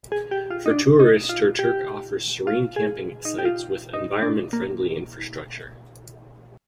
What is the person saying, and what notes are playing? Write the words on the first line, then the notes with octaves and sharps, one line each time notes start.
For tourists Turtuk offers serene camping sites with environment friendly infrastructure.
G#4
G4
F4
D#4
D4
D#4
F4
G4
F4
G#4
D#4
G4
F4
D#4
D4
A#3